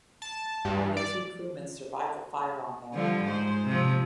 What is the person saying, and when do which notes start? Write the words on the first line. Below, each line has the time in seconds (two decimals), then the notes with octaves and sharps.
Only two crewmen survived the fire on there.
0.22 A5
0.65 G2
0.97 D5
2.93 D3 F3 G3
3.25 G#2 C5
3.66 C3 F3